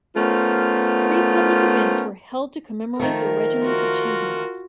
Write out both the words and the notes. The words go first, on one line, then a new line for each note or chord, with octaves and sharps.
Three public events were held to commemorate the regiment's achievements.
A3 B3 C#4 F4 A#4 C5
D#3 F3 A3 A#4
F4 F#4